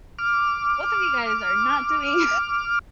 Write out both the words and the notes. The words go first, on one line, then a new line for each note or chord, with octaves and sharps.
both of you guys are not doing you
D6 F6